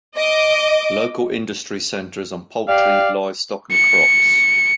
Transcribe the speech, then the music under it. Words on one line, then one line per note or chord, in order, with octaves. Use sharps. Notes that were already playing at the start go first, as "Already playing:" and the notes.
Local industry centers on poultry, livestock and crops.
D#5 D6
G4 D5 F5
C#7